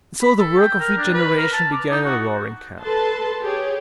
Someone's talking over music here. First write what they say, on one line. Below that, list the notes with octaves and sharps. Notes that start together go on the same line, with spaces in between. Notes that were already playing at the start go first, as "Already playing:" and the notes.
And so the work of regeneration began in Roaring Camp.
B5
A4
G5
A#4
D4
B4
A#4
A5
D6
D#4
F#4
A4 B4 A5 C6
G4 G#4 C#5